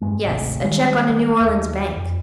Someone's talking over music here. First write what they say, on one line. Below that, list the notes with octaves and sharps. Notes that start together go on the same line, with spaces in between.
"Yes, a check on a New Orleans bank."
G2 G#3
G#1 D2 A2 C3
D#3 G3 G#3
D#2
F2